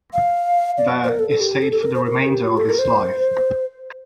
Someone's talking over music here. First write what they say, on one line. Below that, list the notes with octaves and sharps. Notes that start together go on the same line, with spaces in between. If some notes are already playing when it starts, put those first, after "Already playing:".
There he stayed for the remainder of his life.
F5
D5
C5
A#4
A4
A4
G4
A4
A4
A#4
C5
A#4
G4
F4
A4
A#4
C5